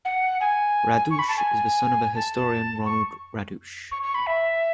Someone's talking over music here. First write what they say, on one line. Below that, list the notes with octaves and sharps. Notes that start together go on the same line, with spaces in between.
Radosh is the son of historian Ronald Radosh.
F#5
G#5
C#6
B5
A5
G#5
A5
C#6
C#6
C#6
B5
E5